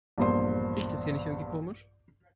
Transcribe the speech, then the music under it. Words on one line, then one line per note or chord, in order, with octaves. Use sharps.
Riecht es hier nicht irgendwie komisch?
A#1 E2 G2 A#3 C5 C6